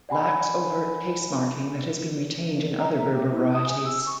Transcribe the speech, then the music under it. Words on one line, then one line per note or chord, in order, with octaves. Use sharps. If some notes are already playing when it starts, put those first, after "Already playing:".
Lacks overt case-marking that has been retained in other Berber varieties.
D5 F#5 G#5 B5
A#5
E5
G4
E4
D#6
G#5
E6
C#6